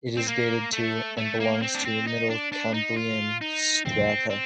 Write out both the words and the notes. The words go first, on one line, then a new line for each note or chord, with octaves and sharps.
It is dated to and belongs to middle Cambrian strata.
C4
A#3
A3
A3
A#3
C4
D4
C4
D#4
D4
D4
D#4
F4
D#4
C4
C4